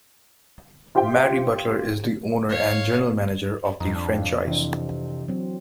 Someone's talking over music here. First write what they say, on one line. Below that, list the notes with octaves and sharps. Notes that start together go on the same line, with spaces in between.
Mary Butler is the owner and general manager of the franchise.
F4 G4 C5 E5 G5
C#5 F5
F2 D#4
D4
C3 E3 D4
F#3 C4